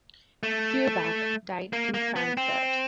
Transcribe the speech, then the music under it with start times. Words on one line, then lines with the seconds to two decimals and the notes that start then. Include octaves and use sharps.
Feuerbach died in Frankfurt.
0.43 A3
1.73 A#3
1.94 A#3
2.16 B3
2.37 C4